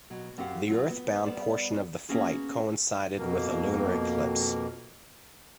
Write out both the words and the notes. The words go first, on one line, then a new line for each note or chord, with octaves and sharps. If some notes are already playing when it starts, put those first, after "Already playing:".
The Earth bound portion of the flight coincided with a lunar eclipse.
B2 F#3
F#2 C4 G4 F5 F#5
F#3 C4 F4
B3
G3 B3 C5 D5
A#3 B3 C#4 F#4 G#4
F2 B2 A#3